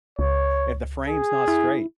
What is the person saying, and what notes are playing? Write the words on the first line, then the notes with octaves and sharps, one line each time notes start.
if the frame's not straight,
C#2 C#5
G#4
E4